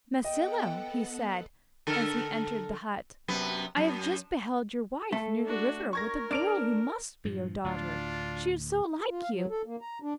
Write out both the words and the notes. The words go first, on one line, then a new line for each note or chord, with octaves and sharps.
'Masilo,' he said, as he entered the hut, 'I have just beheld your wife near the river with a girl who must be your daughter, she is so like you.
B3 A4 D#5 F#5 G5
D3 A4 A#4
F#2 C3 B3
F#2
A3 A4
D4 F#4
A#4 C#6 G#6 A#6
D4 F6 D7 F7
G2 A#2 F3
D2 A2 D4 F4
F4
F5
F#3
A4
A#3
A#5
D4